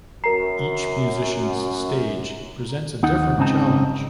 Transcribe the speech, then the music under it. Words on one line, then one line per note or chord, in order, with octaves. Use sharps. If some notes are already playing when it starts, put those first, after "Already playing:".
Each musician's stage presents a different challenge.
F#2 A#4 A#5 C7
D#2 D#4 F#5
G#2 C#3 C4 D#4 A5